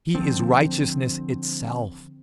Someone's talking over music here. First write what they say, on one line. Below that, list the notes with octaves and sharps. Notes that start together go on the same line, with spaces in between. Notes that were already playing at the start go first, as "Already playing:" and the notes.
He is righteousness itself.
D3 F3 C4